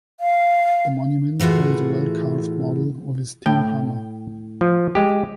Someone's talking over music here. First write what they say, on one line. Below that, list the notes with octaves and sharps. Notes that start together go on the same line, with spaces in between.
The monument holds a well-carved model of his steam hammer.
F5
A2 E3 F4 F#4 G#4
A2 G5
F3
G#3 G4